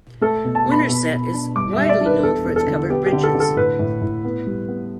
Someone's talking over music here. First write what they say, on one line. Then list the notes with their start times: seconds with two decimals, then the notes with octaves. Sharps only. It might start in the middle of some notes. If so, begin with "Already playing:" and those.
Winterset is widely known for its covered bridges.
0.21 A3 A4
0.45 B2
0.55 A5
0.66 B2
0.72 B5
0.89 B2
1.12 B2
1.33 D4
1.55 G2 D6
1.73 E5
1.78 G3
1.85 E5
1.89 D5
2.00 D4
2.06 B4
2.23 E2 A4
2.45 E2
2.56 A4
2.67 D3
2.89 B3 G4
3.06 G4
3.12 D3
3.24 A4
3.35 D3
3.40 A4
3.56 A2 B4
3.79 A2
4.01 A2
4.25 B3
4.47 G3
4.69 B3